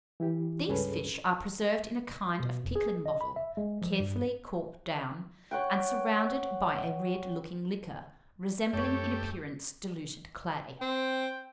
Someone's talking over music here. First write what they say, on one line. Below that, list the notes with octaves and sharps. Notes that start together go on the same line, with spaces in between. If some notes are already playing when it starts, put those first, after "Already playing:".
These fish are preserved in a kind of pickling-bottle, carefully corked down, and surrounded by a red-looking liquor, resembling in appearance diluted clay.
E3 E4 G4
C#2 G2 C#4 G#4 A4 B4
B2
E2
G#4
D#5
B5
E5
G#3
F3
G2
C#5 F#5 G5
F#2 A3 G4 C#5
C4 G5